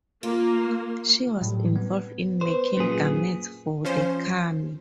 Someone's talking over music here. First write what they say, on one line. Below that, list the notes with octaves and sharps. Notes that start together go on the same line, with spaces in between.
She was involved in making garments for the kami.
A#3 F4
A2 F#3 G3
B3
B4 C5
F#2 A#2 G#4
F3 C#4 C5